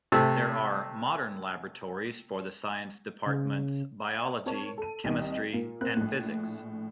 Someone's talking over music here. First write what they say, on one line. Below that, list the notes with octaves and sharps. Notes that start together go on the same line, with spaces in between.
There are modern laboratories for the science departments: Biology, Chemistry and Physics.
C3 A3
C#3
C4 A#4 C#5 A5 F7
A4 D#7
C2 D#3 D#5
A#2 A#3
A#3 C4 F#6
A#1 A2